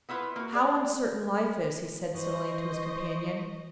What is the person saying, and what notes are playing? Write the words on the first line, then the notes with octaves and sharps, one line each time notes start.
"How uncertain life is!" he said suddenly to his companion.
B3 E4 F4 B4
A#3 F#4
G#4 D5
E3 C5 D#5 C#6